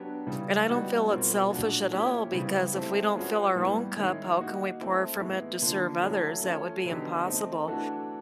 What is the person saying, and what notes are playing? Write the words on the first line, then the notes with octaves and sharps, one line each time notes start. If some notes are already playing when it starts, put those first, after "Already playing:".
and I don't feel it's selfish at all, because if we don't fill our own cup, how can we pour from it to serve others? That would be impossible,
Already playing: F#3 B3 D4 G4 B4
C#3 E3 G3
E3 G3 B3 D#4 F#4
B2 G3 C4 F4 A#4
A#2 F#3 A3 D4 F#4
F3 A#3 C#4 E4 G4
C#3 E3 G3 C4
A3 C4 E4 G4 C5
F3 G#3 C#4 F#4 B4
A2 E3 G3 B3
D#3 G#3 C#4 E4
A#3 D#4 F#4
A3 C4 E4
A2 E3 G#3 B3 E4
D3 F3 A#3
F#3 A3 C#4 E4
F3 A3 C#4
D3 F#3 B3 D#4 G4
A3 C4 D#4
E3 A3 D4 F#4 A4